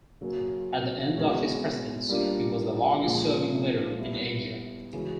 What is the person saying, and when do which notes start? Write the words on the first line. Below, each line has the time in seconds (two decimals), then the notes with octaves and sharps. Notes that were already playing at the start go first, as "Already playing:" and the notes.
At the end of his presidency, he was the longest serving leader in Asia.
0.21 C#3 F#3 A#3 C#4 F#4
1.15 B2 G#3 C#4 E4
2.09 G3 A#3 D4 F4
3.04 A#2 F3 G#3
3.99 G3 B3 E4
4.93 C#3 E3 G#3 C#4 F#4